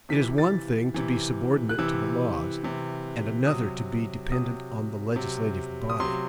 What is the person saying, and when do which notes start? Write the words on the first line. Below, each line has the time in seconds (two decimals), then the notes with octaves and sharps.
It is one thing to be subordinate to the laws, and another to be dependent on the legislative body.
0.09 C3 E3 B6
0.38 A6
0.94 C3 E3
1.69 F#6
1.79 C3 E3 E6
2.63 C3 E3
3.47 C3 F#3 D#6
4.32 C3 F#3 D#6
5.16 C3 F#3
5.90 D#6
6.00 C3 F#3 C6